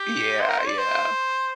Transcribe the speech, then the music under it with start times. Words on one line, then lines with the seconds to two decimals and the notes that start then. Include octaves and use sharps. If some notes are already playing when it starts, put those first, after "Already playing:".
Yeah, yeah.
Already playing: G4
0.41 C5
0.49 A#4
0.58 C5
0.69 D5
0.78 C5